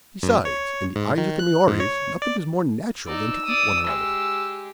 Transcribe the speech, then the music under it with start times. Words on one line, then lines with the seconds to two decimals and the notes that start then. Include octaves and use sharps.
Besides, in the eyes of the Maories, nothing is more natural than to eat one another.
0.23 F#2
0.45 C#5
0.96 G#2
1.18 D#3
1.39 F#6
1.68 G#2
1.80 C#5
2.22 D5
3.06 D#4 D5 E6
3.45 D5 D#6
3.87 G#3 G4